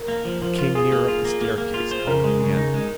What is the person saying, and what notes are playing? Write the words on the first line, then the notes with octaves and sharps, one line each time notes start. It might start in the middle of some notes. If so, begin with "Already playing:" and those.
It came nearer up the staircase, calling again.
Already playing: A#4
A#3
F3
F3
F4
F4 G#4
A#3
F4
A#3
A#3
A#3
F4
C5
C#3 A#4
G#3
C#3
D#4
G#3